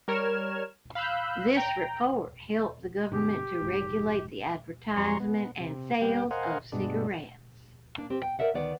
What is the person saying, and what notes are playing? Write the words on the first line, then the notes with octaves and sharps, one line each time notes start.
This report helped the government to regulate the advertisement and sales of cigarettes.
G3 A#4 C#5 F6 G#6 E7
F5 B5 E6 F#6 G6
G5 A#5
G2 B2 D3 G4
F1 G#2
F2 G3 A#5 C6 C#6
B3
C3
G3 B3 G5
A#4 C5 D#5 F5 F#5 G#5
G2 B2 G#3 D4
A#3 D4
C4 G4
G5
A#4 D5 E5 F#5
D2 D#3 B3 D5 F#5